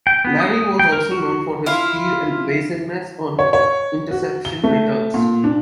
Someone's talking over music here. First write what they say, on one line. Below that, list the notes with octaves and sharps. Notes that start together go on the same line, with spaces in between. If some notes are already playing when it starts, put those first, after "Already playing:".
Lary was also known for his speed and evasiveness on interception returns.
G5
B3
D#6
G5
A#4
F#4
E4 F4
C#5
C#5
F#4
G7
A3
A#2
D4